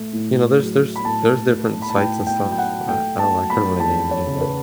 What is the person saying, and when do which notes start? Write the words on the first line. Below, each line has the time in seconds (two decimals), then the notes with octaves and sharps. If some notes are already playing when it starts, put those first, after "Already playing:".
you know, there's there's there's different sites and stuff, I I don't know, I couldn't really name any of that.
Already playing: A2 A3
0.13 A2
0.59 F#3
0.96 B5
1.05 A2 A5
1.50 A3
1.82 B5
1.90 A5
1.96 A2 G5
2.27 G5
2.42 F#3
2.52 G5
2.58 F#5
2.88 A3 G5
3.19 A5
3.34 F#3
3.50 B5
3.80 E2 A5
4.11 C#5
4.27 C#3
4.41 B4